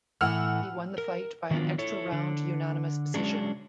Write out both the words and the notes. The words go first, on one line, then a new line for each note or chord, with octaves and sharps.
He won the fight by an extra round unanimous decision.
A2 E3 A3 F#5 E6 F6
A#4
D#3 F3 F#3 B3 D4 F4
E4 A4 C#5
D3
F#3 G#3 C#4 D4 G#4